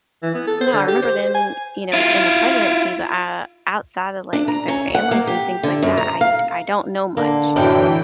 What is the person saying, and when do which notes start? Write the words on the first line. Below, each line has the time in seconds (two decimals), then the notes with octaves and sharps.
know, I remember them, you know, in the presidency, but, uh, outside of, like, their families and things like that, I d I don't know much.
0.23 E3
0.35 B3
0.47 A4
0.61 C5
0.73 D3
0.88 G4
1.03 C5
1.19 C5
1.35 G#5
1.93 E4 F4
4.33 D4
4.48 A#5
4.68 C#4
4.95 F#5
5.11 A#3
5.27 G4
5.63 D3
5.82 F#2
5.98 A#5
6.21 F5
7.17 D3 A#3
7.56 F#2 A2 E3 G5